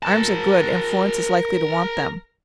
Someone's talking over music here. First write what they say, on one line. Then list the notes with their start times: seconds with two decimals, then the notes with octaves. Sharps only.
Arms are good, and Florence is likely to want them.
0.03 A#4 A5